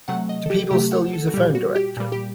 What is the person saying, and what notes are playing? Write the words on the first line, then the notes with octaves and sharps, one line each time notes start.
Do people still use a phone directory?
C3 F#3 A3 F#5
D#5
A4
G4
C3 F#3 A3 G4
F#5
A4
F#4
A#2 G3 G4
F#4
G4
A#2 G3
G4